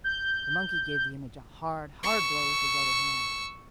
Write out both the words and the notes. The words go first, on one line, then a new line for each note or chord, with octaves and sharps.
The monkey gave the image a hard, hard blow with his other hand.
G6
C#6 E6